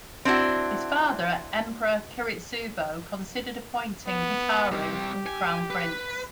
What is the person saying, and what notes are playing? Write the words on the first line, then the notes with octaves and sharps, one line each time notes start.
His father Emperor Kiritsubo considered appointing Hikaru the crown prince.
C4 D4 E4 F#4
B3
G3 C4 G4
G#5
B4